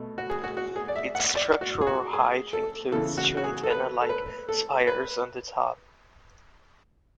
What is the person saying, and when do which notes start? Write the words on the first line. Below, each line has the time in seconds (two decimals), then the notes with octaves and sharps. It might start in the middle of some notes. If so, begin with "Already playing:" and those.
Its structural height includes two antenna-like spires on the top.
Already playing: B2 A3
0.18 F#4
0.30 G#4
0.44 F#4
0.57 F#4
0.76 G#4
0.88 D5
0.96 E5
1.15 F#5
1.35 D5
1.61 F#4
1.81 G#4
1.87 F#4
2.13 G#4
2.53 A4
2.92 C#3 E3 B3 A4
3.17 F#4
3.37 F#4
3.44 G#4
3.63 A4
3.70 B4
4.02 A4
4.09 B4
4.49 A4
4.87 B4